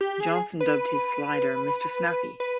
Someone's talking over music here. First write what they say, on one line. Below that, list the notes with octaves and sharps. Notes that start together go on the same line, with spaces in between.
Johnson dubbed his slider "Mr. Snappy".
G4
G#4
B4
B4